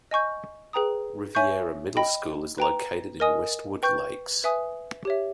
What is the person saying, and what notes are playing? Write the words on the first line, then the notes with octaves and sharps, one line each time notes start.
Riviera Middle School is located in Westwood Lakes.
D#5 G#5 C#6 G6
G#4 B4 G5 A#5 D#6
C#5 E5 G#5 C#6 G6
D#5 G5 B5
B4 G5 A#5
A#4 D#5 G#5 D#6
B4 G5 C#6 G6
B4 E5 G#5 D#6
G4 C#5 E5